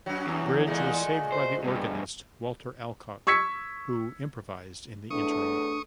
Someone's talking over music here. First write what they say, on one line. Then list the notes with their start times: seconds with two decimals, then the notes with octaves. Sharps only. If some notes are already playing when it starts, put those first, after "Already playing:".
Bridge was saved by the organist, Walter Alcock, who improvised in the interim.
0.06 F#2 F#3
0.27 E2
0.67 A#2 G#3 A3
1.32 C5
1.64 G2 B2
3.27 C#6 E6 G#6 B6 C#7
5.10 E2 A2 A3 D4 C#6 D#6